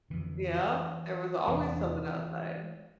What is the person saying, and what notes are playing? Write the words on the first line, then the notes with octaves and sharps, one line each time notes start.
Yeah, there was always someone outside.
F2 D3 E3
E2 C3 E3